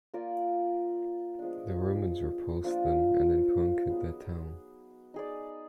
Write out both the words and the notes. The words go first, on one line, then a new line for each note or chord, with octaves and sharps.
The Romans repulsed them and then conquered their town.
A#3 F4 A#4 D5
F3 G#3 B3 D4
F3 A#3 D4 F4
F#3 B3 D#4 G#4
D#4 G#4 D5